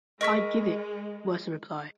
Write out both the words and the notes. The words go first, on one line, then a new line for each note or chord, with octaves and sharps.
"I give it," was the reply.
G#3 A#4 D#5 C#6 E6 A#6 B6